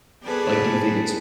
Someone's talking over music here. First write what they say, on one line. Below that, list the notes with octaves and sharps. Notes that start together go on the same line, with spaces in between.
Like, do you think it's
B3 G#4 A4 B4 D5